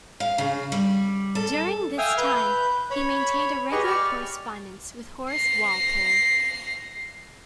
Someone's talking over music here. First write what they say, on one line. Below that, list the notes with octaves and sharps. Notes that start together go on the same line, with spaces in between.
During this time, he maintained a regular correspondence with Horace Walpole.
F5
C#3
G3
A4
E5 F5 G5 G#5 D#6 F6
B4 G6
C#5 B5
G4 G#4 B4 D#5 C#6
G4 D5 C#6 F6
A#6 C7